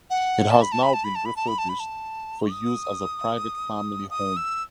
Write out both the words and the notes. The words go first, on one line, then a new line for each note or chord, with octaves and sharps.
It has now been refurbished for use as a private family home.
F#5
A5
B5
A5
B5
A5
B5
A5
B5
A5
B5
A5
B5
A5
D#6
D#6
E6